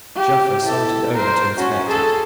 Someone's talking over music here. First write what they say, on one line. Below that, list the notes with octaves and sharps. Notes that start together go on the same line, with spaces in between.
Joffre sauntered over to inspect it.
G4
E4 A4
A#4 C5
C#4 F#4
G#4 A4